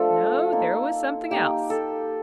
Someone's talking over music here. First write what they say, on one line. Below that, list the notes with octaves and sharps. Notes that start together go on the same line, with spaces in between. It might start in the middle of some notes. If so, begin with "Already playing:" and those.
No, there was something else!
Already playing: F3 A3 D4 A4 C5
A#3 D#4
A#3 D#4 G4
A4